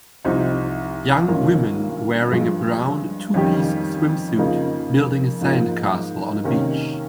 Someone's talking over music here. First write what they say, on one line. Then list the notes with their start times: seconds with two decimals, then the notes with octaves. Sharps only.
Young women wearing a brown two piece swimsuit building a sand castle on a beach.
0.25 C2 C3 F3 C4 D#4
1.28 G2 D#3 A#3 C#4 F4
2.31 G2 F3 G#3
3.34 F2 D#3 G3 C#4 G4
4.38 F2 C#3 F3 A#3 D#4
5.41 G#2 F3 A#3
6.44 C3 D#3 A#3 C#4